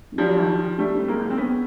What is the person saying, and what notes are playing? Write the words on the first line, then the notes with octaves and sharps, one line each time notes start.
Yeah, yeah.
F3 G3
G3 A3
G#3 A#3
C4
B3 C#4